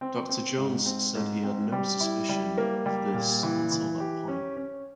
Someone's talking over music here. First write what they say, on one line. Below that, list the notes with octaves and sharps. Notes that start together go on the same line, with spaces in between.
Dr Jones said he had no suspicion of this until that point.
C4
C4
G#2
C4
G#2
C4
G3
E4
G3
A#3
G3
A#2
E3
E3
G4
C#4
C#4